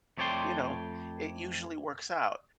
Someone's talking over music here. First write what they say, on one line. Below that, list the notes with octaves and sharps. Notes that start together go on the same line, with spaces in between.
you know, it usually works out.
F2 A3 C#5 D5 G5 C6